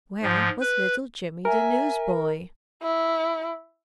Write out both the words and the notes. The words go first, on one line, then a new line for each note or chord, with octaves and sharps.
Where was little Jimmy the newsboy?
G#2 F3
B4
A#4 E5 G#5
E4